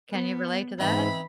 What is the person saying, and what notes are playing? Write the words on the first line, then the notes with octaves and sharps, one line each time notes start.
Can you relate to that?
B3
G#2 E3 C4 D#4 B5